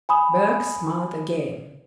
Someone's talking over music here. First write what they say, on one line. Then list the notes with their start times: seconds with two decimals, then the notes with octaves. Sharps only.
Berg smiled again.
0.09 G#5 B5 D#6